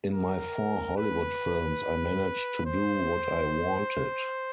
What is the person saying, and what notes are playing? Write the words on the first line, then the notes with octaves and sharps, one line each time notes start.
In my four Hollywood films I managed to do what I wanted.
A#4
B4
C5